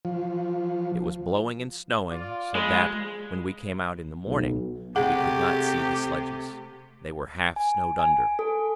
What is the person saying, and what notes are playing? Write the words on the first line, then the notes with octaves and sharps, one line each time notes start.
It was blowing and snowing so that when we came out in the morning we could not see the sledges; they were half snowed under.
F3
F4 D5
F3 G#3 F5 B5
B1
C3 A3 G4 G#4 F#5
G#5
G#5
A4